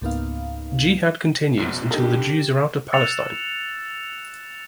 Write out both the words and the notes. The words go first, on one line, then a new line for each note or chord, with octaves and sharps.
Jihad continues until the Jews are out of Palestine.
C#2 G#2 A#3 B3 D#4 F5
A#1 F#2 B2
D4 D#4 G4 A4 A#4
E6 F#6 A6 C#7 E7 F7